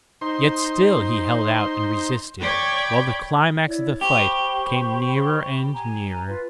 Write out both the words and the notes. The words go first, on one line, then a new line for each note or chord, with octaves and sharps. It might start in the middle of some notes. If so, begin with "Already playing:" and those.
Yet still he held out and resisted while the climax of the fight came nearer and nearer....
D#4 C5 C6
C#5 D5 G5 B5
E4 C#5 D5
G4 C5 B5 C#6
G#5 A#5
F4 B4